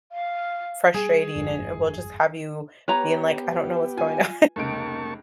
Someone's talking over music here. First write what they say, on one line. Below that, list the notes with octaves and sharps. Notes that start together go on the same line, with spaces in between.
frustrating, and it will just have you being, like, "I don't know what's going on.
F5
G3 G#4
G1 F2 G#2
B3 G4 B4 C#5 A#5
F4 G#5
F1 C#2 A#3 A5 C#6 D7